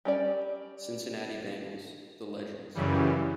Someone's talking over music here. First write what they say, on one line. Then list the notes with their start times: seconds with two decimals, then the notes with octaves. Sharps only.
"Cincinnati Bengals, The Legends".
0.05 G3 C#4 D5
2.75 F#2 C#3 E3 G3